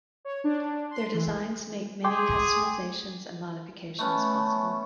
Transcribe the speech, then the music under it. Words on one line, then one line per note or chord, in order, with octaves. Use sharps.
Their designs make many customizations and modifications possible.
C#5
D4
C6
E3
G#4 G5 C6 D6
A3 B3 C#4